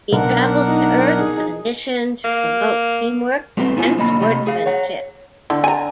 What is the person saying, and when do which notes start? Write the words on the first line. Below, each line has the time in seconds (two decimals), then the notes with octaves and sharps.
He travels to Earth on a mission to promote teamwork and sportsmanship.
0.12 B1 D4 A#4 F#5
0.66 D#4
1.16 D#4 G#4
2.24 A#3
3.57 G2 B2 A3 B3 C4
3.76 A#2 B3 E4 F4 C5 G#5
3.97 B1 D3 A#3 D#5 E5 B5
4.21 C3 A3 G4 D#5 B5
4.47 G#4 F5
4.66 C#5 F#5
5.50 D3 E4
5.64 G#5 A#5